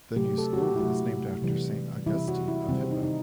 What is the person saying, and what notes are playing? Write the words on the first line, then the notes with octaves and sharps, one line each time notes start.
The new school is named after Saint Augustine of Hippo.
C3 F#3 A3 G4
A4
F#4
G4
E4
C3 F#3 A3 F#4
C3 E3 G3
C3 E3 G3 E4
F#4
E4
C3 D#3 G3 C4
D#4
D#4